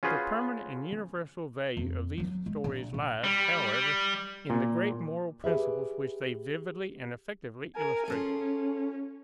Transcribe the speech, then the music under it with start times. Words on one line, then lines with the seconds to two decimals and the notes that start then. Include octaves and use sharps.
The permanent and universal value of these stories lies, however, in the great moral principles which they vividly and effectively illustrate.
0.03 C#4 F4 F#4 G#4 B4 C5
1.77 F2
2.18 F3 F#3
2.46 G#3
2.64 A#1
2.94 A#1
3.24 G3
4.50 A#2
5.44 G4 G#4 B4 E5
7.76 A#4 G#5
8.08 C#4 F4 G#4 A4